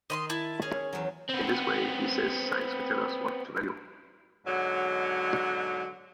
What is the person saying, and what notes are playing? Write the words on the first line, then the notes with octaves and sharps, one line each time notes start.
In this way, he says, science can tell us what to value.
D#3 D#5 B5 C6
E4 A5
C#4 G#4
E2 F#3
B3 C4
G#2 B2 D3 F#3